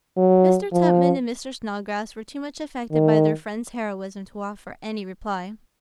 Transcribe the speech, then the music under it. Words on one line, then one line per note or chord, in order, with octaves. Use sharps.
Mr. Tupman and Mr. Snodgrass were too much affected by their friend's heroism to offer any reply.
F#3
F3
D#3